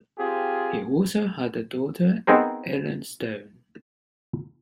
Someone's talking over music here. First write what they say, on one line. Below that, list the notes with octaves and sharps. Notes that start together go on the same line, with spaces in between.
He also had a daughter, Ellen Stone.
C4 F4 G4 G#4
B3 C4 D#4 G#4 A#4 C5